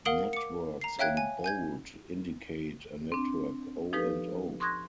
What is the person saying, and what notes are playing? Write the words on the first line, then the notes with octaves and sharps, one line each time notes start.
Networks in bold indicate a network O and O.
A#4 F5 F#5 D#6 D7 F#7
D6 C#7
A#5 C7
C#5 E5 F5 G5 F#6 G#6
G#5
G#5 G6 G#6
C4 D4
F3 D#4 G4 A4 B4
C6 C#6 D#6 F#6 G#6 A#6